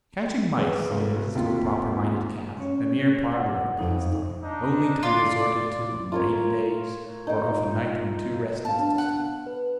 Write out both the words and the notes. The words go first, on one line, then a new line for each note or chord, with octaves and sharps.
Catching mice is, to a proper-minded cat, a mere parlour pastime, only to be resorted to on rainy days, or of a night when too restless to sleep.
G#4 B4 C#5
G#1 G#2
D#2 C3 D#4 F4
C#4 C#5
F#5
F2 D#4
D4 D#4
F4 D5
F4 A#4 C#5
D#4 G5
B3 F5 A5
D4
F#5
B4